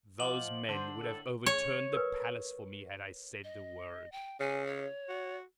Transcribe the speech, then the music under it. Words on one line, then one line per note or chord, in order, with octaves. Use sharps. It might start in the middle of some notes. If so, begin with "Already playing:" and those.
Those men would have overturned the palace for me had I said the word.
F3 D#5 F#5 D6 F#7
D3 C5 A5
A2 A4
C#5
A#4 B4
D#5
G5
C#3 G#5
C#5
F#4